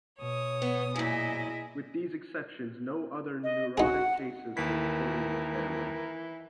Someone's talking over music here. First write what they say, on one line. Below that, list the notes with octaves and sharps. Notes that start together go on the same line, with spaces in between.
With these exceptions, no other neurotic cases were recorded in the family.
B2 C#5 D#6
B3
F#2 A#2 E4 G#4 D#5
D#5
D#4 F#4 G#4 F#5
D#2 E3 A#4 B6